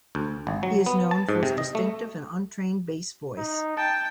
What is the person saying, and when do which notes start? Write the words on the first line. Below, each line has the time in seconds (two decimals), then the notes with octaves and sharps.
He is known for his distinctive and untrained bass voice.
0.15 D2
0.47 G#1
0.63 F#3
0.86 B3
1.11 A5
1.29 G#2
1.43 C3
1.58 D#5
1.75 A3
3.38 D#4
3.77 G5 A5